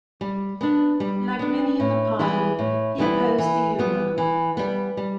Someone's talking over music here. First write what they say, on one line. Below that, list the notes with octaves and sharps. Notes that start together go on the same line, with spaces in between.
Like many in the party, he opposed the euro.
G3
B3 D4
G3
B3 D4
A2
E3 G3 B3 E4
A2
E3 G3 B3 E4
E3
G3 B3
E3
G3 B3
G3